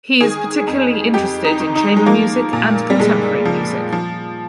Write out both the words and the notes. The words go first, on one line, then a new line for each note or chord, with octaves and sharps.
He is particularly interested in chamber music and contemporary music.
D#3 G#4
F2
F2 G4
D#4
D#3
D#4
G#3
F3 A#3
A#2
G3
A#2 G#3
F3
F3